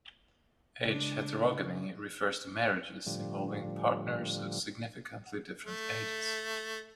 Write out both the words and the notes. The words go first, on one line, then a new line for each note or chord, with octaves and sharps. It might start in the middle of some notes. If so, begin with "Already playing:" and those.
Age heterogamy refers to marriages involving partners of significantly different ages.
C#3 G#3 D4
A2 D3 F3 G3
A3